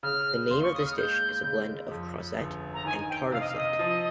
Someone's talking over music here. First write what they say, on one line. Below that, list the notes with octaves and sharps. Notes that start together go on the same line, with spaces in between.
The name of this dish is a blend of "crozet" and "tartiflette".
C#3 F6
D#2 C6
C#6
D#6
F6
G#3 G6
C#3
F2
G1
A#5
D#3 G#5
G5
C3 F5
D#5
F5
D#5
F3